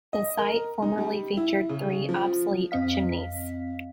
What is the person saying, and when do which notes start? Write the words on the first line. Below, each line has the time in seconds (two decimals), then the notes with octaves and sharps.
The site formerly featured three obsolete chimneys.
0.13 D#5
0.38 A#4
0.82 D#4
0.98 G3
1.37 E4
1.69 C#3
2.09 F3
2.71 F2 C4 D#5 F5 B6